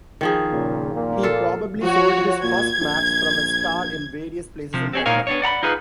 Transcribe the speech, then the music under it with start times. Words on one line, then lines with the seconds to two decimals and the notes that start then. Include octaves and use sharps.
He probably sold his first maps from a stall in various places in London.
0.21 D#3 F3 G#4
0.51 A#2 C#3
0.94 A#2 A#3
1.23 F4 A4
1.83 F3 F#4 C#5
2.43 A#2 G#6
2.81 A#1
4.74 C3 F3
4.93 C4 C#4 G#4
5.06 A#2 D#4 A#4 C#5 F5
5.27 B3 D4 C#5
5.42 D5 F#5 A#5 B5
5.63 D#4 F4 G#4 B4